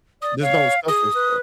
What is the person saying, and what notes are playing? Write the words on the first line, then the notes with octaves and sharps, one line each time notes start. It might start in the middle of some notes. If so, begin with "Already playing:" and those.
just don't stuff yourself,
D5 D#6
C#5 F5
G#4 D#6
B4